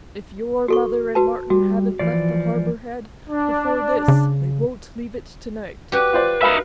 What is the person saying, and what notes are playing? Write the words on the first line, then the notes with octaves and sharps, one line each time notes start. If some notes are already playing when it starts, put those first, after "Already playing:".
If your mother and Martin haven't left the Harbour Head before this, they won't leave it tonight.
F#4 A4 C#6
F#4 B4 A5
G3 F#4
E3 F3 D5
D4
C#3
F#4 G4 B4
F4 C5 D5
D#4 A#4 E5 F5 B5